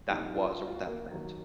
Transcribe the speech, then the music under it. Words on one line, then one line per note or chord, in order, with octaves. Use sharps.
that was or what that meant,
C2 A#2 F3 D#4
F4
F#4
F4
F#4
A#3
D#2 D#3 F#3 A#3